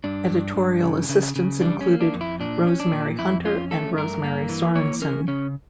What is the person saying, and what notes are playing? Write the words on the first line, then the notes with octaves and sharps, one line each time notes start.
Editorial assistants included Rosemary Hunter and Rosemary Sorensen.
G2 D4
G2
G2
C#3
C#3
C#3
G3 D4
C#4
A#3
D4
F2
E4
A#2 D4
C#4
D4
A#2
F2 E4
C#4 F4
A3 A4
G2 A#4
A#3
E3
A#3 C#5
C#4 A#4
C#3 C#4